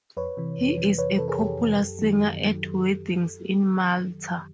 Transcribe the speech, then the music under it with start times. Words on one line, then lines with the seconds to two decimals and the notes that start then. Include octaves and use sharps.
He is a popular singer at weddings in Malta.
0.17 F2 B4 C#5
0.37 C3 E3
0.58 F2
0.78 C3 E3
0.98 F2 B4 C#5
1.18 C3 E3 A4 B4
1.28 G#4 A#4
1.38 F2 G4 A4
1.59 C3 E3
1.79 F#2
1.99 D#3 F#3
2.19 F#2
2.41 D#3 F#3